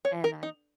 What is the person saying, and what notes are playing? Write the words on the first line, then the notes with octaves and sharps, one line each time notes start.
and I,
C#5
A#4
D#4